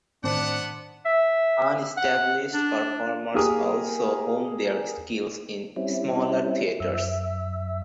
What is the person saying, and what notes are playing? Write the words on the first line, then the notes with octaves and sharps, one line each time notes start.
Unestablished performers also hone their skills in smaller theaters.
A2 D#3 B3 C4 D4 C5 F#5
E5
F#5
D4
A#3 G4 G#4 A#4 D#6
G3 C4 C#4 E4
F#2 E5